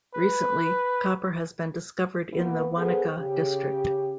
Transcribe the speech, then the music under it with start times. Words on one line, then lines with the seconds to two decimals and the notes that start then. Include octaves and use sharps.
Recently, copper has been discovered in the Wanica district.
0.14 B4
2.33 B2 E3 A#3 B3
2.76 B3 G#4 A4 C5
3.17 C#3 G4